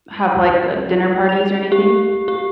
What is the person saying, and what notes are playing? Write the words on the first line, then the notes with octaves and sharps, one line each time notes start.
have, like, a dinner parties or anything?
F7
G4
G4